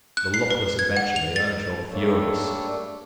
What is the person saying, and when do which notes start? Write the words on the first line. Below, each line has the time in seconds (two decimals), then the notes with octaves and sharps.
The luckless adventure made Earnshaw furious.
0.17 F#6
0.34 C7
0.51 B4
0.79 G#6
0.97 F#5
1.16 F7
1.36 A6
1.90 G3 A3 A#3 D4 A4 C#5